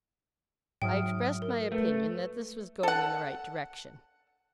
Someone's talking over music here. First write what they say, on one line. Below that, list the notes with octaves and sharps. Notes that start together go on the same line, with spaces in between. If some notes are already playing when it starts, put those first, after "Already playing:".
I expressed my opinion that this was going in the right direction.
G#2 F#3 E5 G5 D#6 F6
A#4
A3 B4
A4 F#5